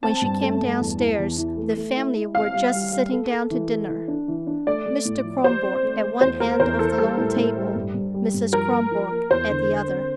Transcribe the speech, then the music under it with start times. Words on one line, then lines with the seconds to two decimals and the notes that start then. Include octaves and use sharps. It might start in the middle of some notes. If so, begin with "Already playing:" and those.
When she came downstairs the family were just sitting down to dinner, Mr. Kronborg at one end of the long table, Mrs. Kronborg at the other.
0.03 C4 A5
0.22 G2
0.42 A3
0.61 G2
0.80 E2
1.00 E3
1.19 E2
1.37 E3
1.57 A3
1.77 A3
1.96 E4
2.16 E4
2.35 C4 F5
2.54 G3
2.73 G3
2.93 G3
3.12 A4
3.32 A4
3.51 E3
3.70 A4
3.89 E3
4.08 D4
4.28 E3
4.47 D4
4.67 A3 D5
4.86 A3
5.05 A2
5.24 F3
5.44 G4 C5
5.63 C4
5.83 A3
6.01 A3
6.21 E2 C5
6.40 A3 A#4
6.59 E2 C5
6.79 E3 A4
6.98 G3 A4
7.18 A2
7.36 A2
7.57 G3
7.76 G2
7.94 G2
8.14 G3
8.34 G2
8.53 F3 A#4
8.72 A#3
8.91 F3
9.11 A#3
9.30 E2 C5
9.49 D3
9.69 D3
9.89 C4